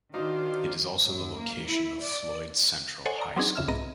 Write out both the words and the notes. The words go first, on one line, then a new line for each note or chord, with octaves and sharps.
It is also the location of Floyd Central High School.
D#3 D4 D#4 F4 F#4 C5
F#2
A#3
E4
D5
A4 C5 C#5 D#5 F#5 G#5
D5 A#5
F#3 B3 C4 D4 D#4 G#4
F2 C#3 E5 E6 F6
C2 G#2 B3 D#5 A#5 A#6